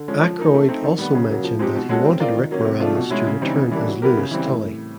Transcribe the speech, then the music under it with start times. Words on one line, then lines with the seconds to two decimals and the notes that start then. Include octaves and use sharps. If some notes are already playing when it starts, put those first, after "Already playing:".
Aykroyd also mentioned that he wanted Rick Moranis to return as Louis Tully.
Already playing: D3
0.08 F3 G#3 C#4
0.24 F3
0.38 A#3 D#4
0.54 A3
0.69 C4 D#4
0.83 D#3
0.99 G3 B3
1.15 C#3
1.30 F#3 A#3
1.44 F3
1.59 G#3 C4 D#4 G4
1.75 B2
1.89 G#3 C#4 F#4 A4
2.05 C4
2.20 F4 A#4 D5
2.36 D#3
2.51 F#3 A#3 C#4
2.65 C3
2.80 F3 A3 D4 F4
2.95 B2
3.10 G#3 C#4 E4
3.27 C#3
3.41 E3 G3 C4 D#4
3.56 C#3
3.71 E3 G3 A#3 D4
3.86 F#3
4.02 B3 E4 G4 A#4
4.17 C#3
4.31 E3 G3 C4
4.47 A2